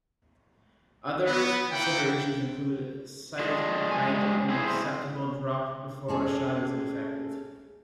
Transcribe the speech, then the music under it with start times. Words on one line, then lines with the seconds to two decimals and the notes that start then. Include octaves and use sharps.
Other considerations include sight height and acceptable drop before a shot is ineffective.
1.26 B3
1.72 A#3 E4 F#5 G5
3.39 D4 F4 G#4 D5 D#5
3.91 G#2 G3 G#3 G#5
4.49 C4 E4 G#4 C5
6.08 C#4 G#4 A4